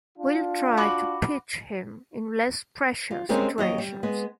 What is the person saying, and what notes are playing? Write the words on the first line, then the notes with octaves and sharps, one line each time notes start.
We'll try to pitch him in less pressure situations.
D4 F4
F#4 B5 D6
F4
G3 G#3 C4 C#4 A#4 C5
D#2 F#3 D#5
G3
G#3 B3